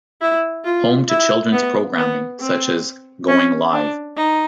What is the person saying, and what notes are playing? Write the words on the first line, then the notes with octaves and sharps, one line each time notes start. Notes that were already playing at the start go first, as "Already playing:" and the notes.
Home to children's programming such as Going Live!
E4
F4
E4
B3
B3
C4
C#4
D4
D#4